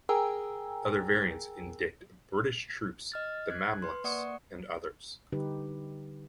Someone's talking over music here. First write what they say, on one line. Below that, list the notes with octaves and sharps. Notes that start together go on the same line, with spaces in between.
Other variants indict British troops, the Mamluks, and others.
G#4 A#4 G5 G#5 A#5 E6
D#5 F6 A6
F#6 G#6
B4 C6
A#3 D5 F#5 C#6 D#6 C#7
D3 G3 D#4 G4 B4